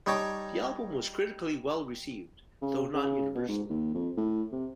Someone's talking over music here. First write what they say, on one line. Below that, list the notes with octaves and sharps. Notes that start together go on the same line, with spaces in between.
The album was critically well-received, though not universally.
G3 D#4 C#5 A5 D6
C#3
C#3
B2
G#2
D#2
F2
A2
C3